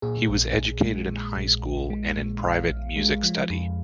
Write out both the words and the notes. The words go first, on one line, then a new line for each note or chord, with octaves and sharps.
He was educated in high school and in private music study.
A#2 G#4
A#1
A#1
G#3
A#2
A#1
A#1
G#3
A#2
A#1 F5
A#1
G#3
F3
F2